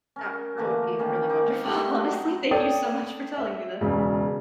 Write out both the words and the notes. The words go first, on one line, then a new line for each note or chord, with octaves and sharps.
That that would be really wonderful. Honestly, thank you so much for telling me this.
C#4 A#4
D3 E3 A3 A#3
D#3 A#3 C#4
D#4 D6
G3 A3 G4 F#5
F#3 A3 D#5
A4 C#5 D5 G5 D#6
E5
E1 C#3